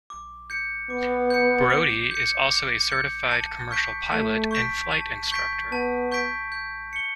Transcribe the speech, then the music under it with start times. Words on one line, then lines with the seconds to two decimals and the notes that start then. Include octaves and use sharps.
Brody is also a certified commercial pilot and flight instructor.
0.10 D6
0.50 G6 C#7
0.90 B3 D6
1.30 G6 C#7
1.70 D6
2.11 G6 C#7
2.50 D6
2.91 G6 C#7
3.31 A5
3.71 C#6 G6 B6 D7
4.11 A3 A5
4.51 C#6 G6 B6 D7
4.91 A5
5.32 C#6 G6 B6 D7
5.72 B3 A5
6.11 C#6 G6 B6 D7
6.52 G6
6.93 C#7 G7